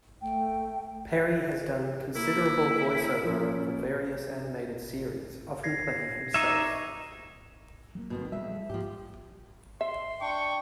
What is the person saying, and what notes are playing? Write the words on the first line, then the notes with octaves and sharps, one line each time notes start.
Perry has done considerable voice-over work for various animated series, often playing himself.
A3 G5
A#3 E4
F3 A#3 C#4
G#6 A#6 C7
D#4 E5 C#6 D6 G#6
F#3 G3 A#3
B2 D#3 C4
F2 G3 G#3 E5
G#2 F3 A#3 G4
E5 C6
D4 G5 C#6